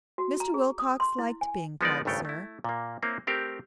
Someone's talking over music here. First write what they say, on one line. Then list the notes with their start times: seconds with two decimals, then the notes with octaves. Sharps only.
Mr. Wilcox liked being called sir.
0.18 F#4
0.40 A#5
0.54 G#4
0.79 D#6
1.00 C6
1.19 E4
1.41 G#5
1.81 F3 G#3 B3 D#4 A#4 D5
2.05 G#1 G2 C#3 A3 C#5 G5
2.25 A3 E4
2.64 A#2 A#3
3.02 A#3 C4 E4 C#5
3.27 A3 C4 G4 A#4